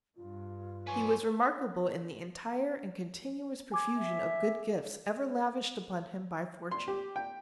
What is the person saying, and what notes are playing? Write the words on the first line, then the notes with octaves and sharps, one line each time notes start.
He was remarkable in the entire and continuous profusion of good gifts ever lavished upon him by fortune.
G2 F4
B4 C#5 G#5
G#5 D6 G#6
E5
C6
G4
G5